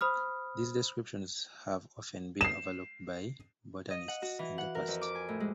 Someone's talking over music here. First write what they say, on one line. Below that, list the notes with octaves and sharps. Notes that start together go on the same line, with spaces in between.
These descriptions have often been overlooked by botanists in the past.
C5 B5 D#6 F6
C7 E7
D#5
F#5
F#4
E3
F#5
A#4
F2
D6
G#5
A2
G#3